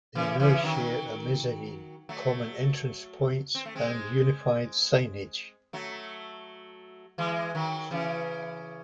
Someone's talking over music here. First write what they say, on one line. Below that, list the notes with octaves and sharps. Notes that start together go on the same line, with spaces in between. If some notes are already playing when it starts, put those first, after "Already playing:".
They now share a mezzanine, common entrance points, and unified signage.
C#3 E3
C#3 E3
D#3 F#3
F#3 A3
C4
A3
G#3 C4
F#3 A3
E3 G#3
D#3 F#3
C#3 E3